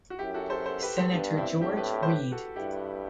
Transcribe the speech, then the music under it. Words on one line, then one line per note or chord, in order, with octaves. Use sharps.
Senator George Read.
F#4
F#2 E4 G4
F#4 A4
A4 C5
A4 C5
G4 B4
A4 C5
G2 B3 D4
C4 E4
A2 E4 G4
G4 B4
E4 G4
C5
G4 B4
F#4 A4
G2 E4 G4